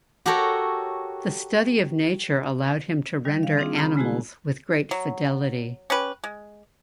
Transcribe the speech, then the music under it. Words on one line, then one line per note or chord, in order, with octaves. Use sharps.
The study of nature allowed him to render animals with great fidelity.
F#4 G4 A4 A#4 C#5
D#3 G3
F5
C4 D4 D#4 F4 G#4
C#3 A#5 B5
C#3 G#3 A3 E4 F#4 G#4
F#3
C#4 G4 B4
G#3